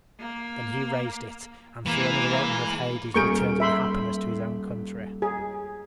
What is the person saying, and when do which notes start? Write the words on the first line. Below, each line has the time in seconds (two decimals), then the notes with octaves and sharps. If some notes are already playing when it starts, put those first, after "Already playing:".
Then he raised it, and through another opening of Hades returned in happiness to his own country.
0.20 A#3
1.87 E3 G#3 A#3
3.14 D#1 G#4 A#4 C#6 G6 D7
3.60 E5 B5 C6
5.22 G#4